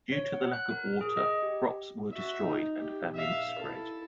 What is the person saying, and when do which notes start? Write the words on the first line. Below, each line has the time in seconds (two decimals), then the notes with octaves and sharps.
Due to the lack of water, crops were destroyed and famine spread.
0.12 C#5
0.33 F#5
0.53 F#6
0.71 A#4
1.01 G#4
1.17 D#5
1.43 G4
2.12 F#4 E5
2.41 D#4
2.77 G4
3.15 E5 F5
3.59 E4 A4